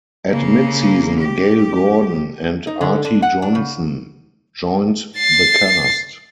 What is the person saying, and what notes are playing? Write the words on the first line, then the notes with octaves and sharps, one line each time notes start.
At midseason, Gale Gordon and Arte Johnson joined the cast.
C#3 A#3
G4
D#4
D3
D4
F#5
D4
C#3
A6 C7